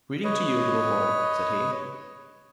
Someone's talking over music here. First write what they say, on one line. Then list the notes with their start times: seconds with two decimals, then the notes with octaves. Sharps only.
"Greeting to you, little boy," said he.
0.24 B4 C#5 D#5